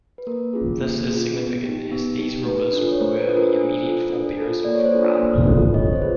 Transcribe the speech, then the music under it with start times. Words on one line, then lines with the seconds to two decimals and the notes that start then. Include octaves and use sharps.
This is significant as these rulers were the immediate forebears of Rama.
0.18 B4
0.27 A#3 A#4
0.53 C#4 F4 G#4
0.81 A#3
1.09 C#4 F4 G#4
1.36 B3
1.64 D#4 G4
1.91 B3
2.19 D#4 G4
2.45 A3 B4
2.73 D4 F4 A4
2.90 C#5
3.00 A3 A#4 C5
3.19 B4
3.28 D4 F4 A4
3.37 A#4 C5
3.55 D4
3.82 F4 A4
4.10 D4
4.37 F4 A4
4.65 A#3 D5
4.75 C#5
4.85 C5 D5
4.92 D4 F4 A4
5.19 A#3
5.47 D4 F4 A4
5.74 C4 C#5 D#5
5.93 C5
6.01 F4 G#4 B4